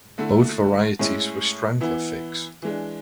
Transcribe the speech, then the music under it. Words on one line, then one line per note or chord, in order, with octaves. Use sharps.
Both varieties were strangler figs.
D3 A3 E4
A2 G#3 C#4 E4
E3 B3 E4
E3 G#3 D4